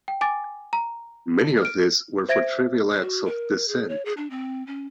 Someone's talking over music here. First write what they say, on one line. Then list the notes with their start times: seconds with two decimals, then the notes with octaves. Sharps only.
Many of these were for trivial acts of dissent.
0.08 G5
0.21 G#5 D6 A6
0.73 A#5
1.62 F6 D7
2.29 C5 E5 G#6 A#6 D7
3.02 F#4
3.26 A#4
3.68 G#4
3.89 C#5
4.05 G#4
4.17 D4
4.30 C4
4.67 C#4